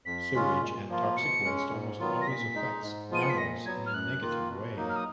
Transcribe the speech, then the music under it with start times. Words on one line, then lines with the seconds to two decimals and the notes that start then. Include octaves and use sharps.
Sewage and toxic waste almost always affects mammals in a negative way.
0.06 F2 B6
0.34 C#3 G#3 C#4 F4
0.61 A#2
0.89 F3 A#3 F4
1.17 B2 C#7
1.44 G#3 C#4
1.72 G#2
1.99 D#3 F#3 B3 F4
2.21 A#6
2.27 A#2 B6
2.55 G#3 D#4
2.83 G#2
3.10 F3 G#3 B3 F4 D#7
3.22 C#7
3.30 B6
3.38 A#2 A#6
3.65 F#3 B3 G#6
3.86 F6
3.94 F#2 F#6
4.21 D#3 A#3 F4
4.49 B2
4.77 F#3 A#3 D#4
4.89 F6
4.96 D#6